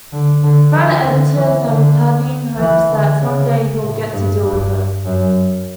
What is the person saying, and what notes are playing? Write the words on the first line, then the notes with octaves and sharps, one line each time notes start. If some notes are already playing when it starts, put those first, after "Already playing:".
Fred enters and Pavayne hopes that some day he'll get to deal with her.
D3
D3
E3
D3
E3
D3
E3
D3
C#3
A2
G2
G2
F#2